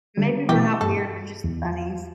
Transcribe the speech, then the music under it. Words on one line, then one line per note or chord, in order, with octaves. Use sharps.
Maybe we're not weird, we're just bunnies.
D3 G3
B2 E3 G4
G2 A4
E2